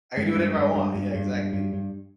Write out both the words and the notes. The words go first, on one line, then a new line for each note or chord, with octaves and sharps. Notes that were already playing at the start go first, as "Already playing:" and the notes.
I can do whatever I want, yeah, exactly.
G2 G#3
G2
G2
G2
G2
G2
G2
G2
G2